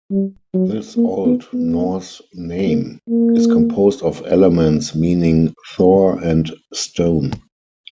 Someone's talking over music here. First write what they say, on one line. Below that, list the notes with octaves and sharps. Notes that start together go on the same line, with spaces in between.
This Old Norse name is composed of elements meaning "Thor" and "stone".
G3
F#3
A#3
B3
B3
A#3
A#3